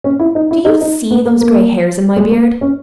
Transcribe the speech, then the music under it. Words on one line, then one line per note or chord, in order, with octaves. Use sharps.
"Do you see those grey hairs in my beard?"
C#4
E4
D#4
E4
D#4
D#4
B3
A#3
A#3
G#3
A#3
C#4